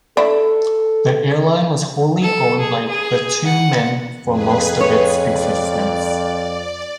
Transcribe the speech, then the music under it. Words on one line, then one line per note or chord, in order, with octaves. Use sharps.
The airline was wholly owned by the two men for most of its existence.
D4 E4 A4
A4
G#4
G#4
F#5
F2 G#4 B4
C#5
D5